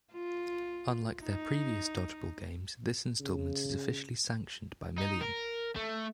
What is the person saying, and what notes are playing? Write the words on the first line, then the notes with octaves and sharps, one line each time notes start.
Unlike their previous Dodgeball games, this installment is officially sanctioned by Million.
F4
D#4
C#3
D#4
A#4
A3